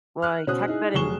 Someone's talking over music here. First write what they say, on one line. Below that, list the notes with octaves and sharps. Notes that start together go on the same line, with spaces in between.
Boy, talk about am
F6 F#6
B2 C#4 F#4 C5 D#6 F#6
D#4 E4 G#4
F1 F#3 G#4 C#6 E7 G7